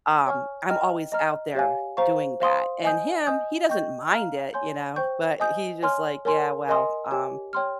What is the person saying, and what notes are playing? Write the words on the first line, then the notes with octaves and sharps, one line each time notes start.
um, I'm always out there doing that, and him, he doesn't mind it, you know? But he's just like, "Yeah. Well, um"
C#5 G#5 C#6 F6
D#5 G5 A#5 F6
D#5 A#5 F6
G4 C#5 F5 G#5
C5 F5 A#5 C#6
C5 F5 C6 D#6
D#5 G#5 D#6 G6
D#5 G#5 D#6 G6
D#5 G5 C#6 G6
F5 A#5 F6
C#5 G#5 C6 G6
C5 G5 C#6 G6
D#5 G#5 D#6 G6
C#5 G#5 C6 F6
A#4 C#5 G#5 C6
A#4 D#5 G#5 C6 D#6
G4 C#5 G#5
C#5 G5 C6 F6